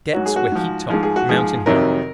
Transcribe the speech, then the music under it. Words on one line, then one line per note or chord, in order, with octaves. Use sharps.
Debts were heaped up mountain-high.
G#2 F#3 F#4
G#4
F#4
G#2 F3
G#2 F3 G#4
G#4
F#4
G#2 F3 G#4
F2 C3 D#3 F#3 A#4